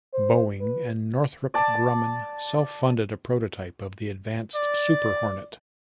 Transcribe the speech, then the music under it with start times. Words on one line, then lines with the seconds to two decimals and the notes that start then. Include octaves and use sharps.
Boeing and Northrop Grumman self-funded a prototype of the Advanced Super Hornet.
0.14 C5
0.61 B4
1.54 D5 A5
4.56 D5